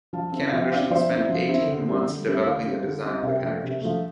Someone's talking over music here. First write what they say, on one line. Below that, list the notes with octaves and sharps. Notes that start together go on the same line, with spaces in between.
Ken Anderson spent eighteen months developing the design of the characters.
F3 F5 A5
C4 E4
F3 E5 G5
C4 E4 D5 F5
F3 C5 E5
C4 E4
F3
C4 E4
D3
G3 C4 E4
D3
G3 C4 E4
D3 D5 F5
G3 C4 E4
D3
G3 C4 E4
C3 E5 G5
F3 A3
C3
F3 A3